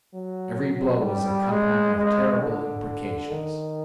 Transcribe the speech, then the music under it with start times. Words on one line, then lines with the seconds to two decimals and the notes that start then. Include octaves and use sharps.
Every blow was accompanied with terrible imprecations.
0.14 F#3
1.04 G3
1.50 G#3
1.96 G#3
2.40 D3
3.31 D#3